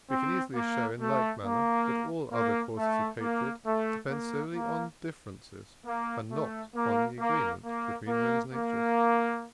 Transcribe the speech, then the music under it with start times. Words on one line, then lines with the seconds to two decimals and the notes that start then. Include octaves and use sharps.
We can easily show in like manner, that all other causes of hatred depend solely on differences, and not on the agreement between men's natures.
0.11 C4
0.55 A#3
1.00 A3
1.44 A#3
2.33 A#3
2.77 A3
3.21 A#3
3.66 A3
4.10 A#3
4.53 A#3
5.87 A#3
6.32 A3
6.76 A#3
7.20 A#3
7.64 A#3
8.08 A#3
8.53 A#3